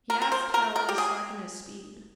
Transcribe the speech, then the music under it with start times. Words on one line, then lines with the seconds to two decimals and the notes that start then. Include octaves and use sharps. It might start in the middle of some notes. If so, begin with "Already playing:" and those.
He asked Howard to slacken his speed.
0.10 A#4
0.22 A#4
0.32 C5
0.54 A#4
0.76 A#4
0.89 G4
0.98 G#4